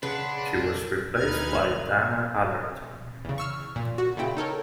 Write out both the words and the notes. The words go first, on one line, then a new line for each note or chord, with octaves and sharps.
She was replaced by Dana Allerton.
C#3 D4 G#4 B4 C#5 F#5 C6 C#7
D2 D#4 B4 F6 G#6
E2 C#3
C#6 E6 F6
A#2
F#4
A#2 C#3 E4 G5
D#4 A4 A#4 C#5